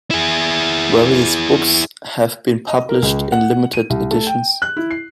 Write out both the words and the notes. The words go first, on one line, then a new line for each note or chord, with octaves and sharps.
Various books have been published in limited editions.
E4 G#4
D#5
A#4
C#2
F#5
D#7
C2
A3
G5
F#6
E4
C7